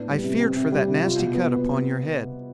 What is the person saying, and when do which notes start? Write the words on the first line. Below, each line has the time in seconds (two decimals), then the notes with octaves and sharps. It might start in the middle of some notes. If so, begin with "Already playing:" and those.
"I feared for that nasty cut upon your head."
Already playing: A2 B3 D4
0.09 G3
0.24 C3
0.40 C4
0.56 C3
0.72 G3
0.87 C3
1.04 F4
1.19 B2
1.34 B3